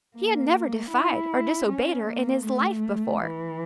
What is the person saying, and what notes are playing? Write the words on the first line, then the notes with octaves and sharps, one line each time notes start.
He had never defied or disobeyed her in his life before.
A#3
E4
C#4
A#3
A3
E3